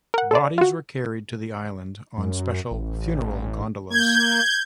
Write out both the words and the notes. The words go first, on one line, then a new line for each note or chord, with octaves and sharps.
Bodies were carried to the island on special funeral gondolas.
A#4 F#5
A4 D5
F4 F#4
F#2
A1
A#3 G6 G#6